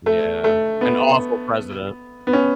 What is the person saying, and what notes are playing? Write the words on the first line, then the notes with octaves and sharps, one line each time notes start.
Yeah, an awful president.
A3
A3
B3
B3
C#4